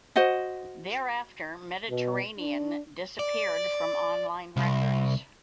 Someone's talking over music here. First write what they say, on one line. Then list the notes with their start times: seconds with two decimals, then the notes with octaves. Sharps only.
Thereafter "Mediterranean" disappeared from online records.
0.16 F#4 C5 D#5 F#5
1.89 B2
2.38 D4
3.19 D5
4.57 C2